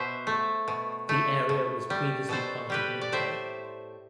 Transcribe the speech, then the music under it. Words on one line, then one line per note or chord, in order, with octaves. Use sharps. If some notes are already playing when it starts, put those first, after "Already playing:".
The area was previously part of Minto.
Already playing: B2 C5 E5
A3
B2
A3
B2
G3
B2 A4 C5
G3 G4 B4
D5
A2 C5 E5